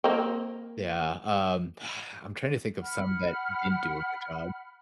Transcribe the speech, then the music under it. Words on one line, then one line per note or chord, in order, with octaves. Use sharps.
Yeah, um Ah, I'm trying to think of some that didn't do a good job.
A#3 C4
F#5 B5 F6